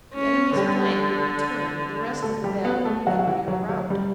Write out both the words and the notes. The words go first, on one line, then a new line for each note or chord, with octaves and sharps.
The enemy's flank would be turned, and the rest of the battle would become a mere rout.
C#4
D3 G3 G4
A3 A4
G3 G4
B3 B4
A3 A4
F#3 F#4
F#4
E3 E4
F#3
F#3
G3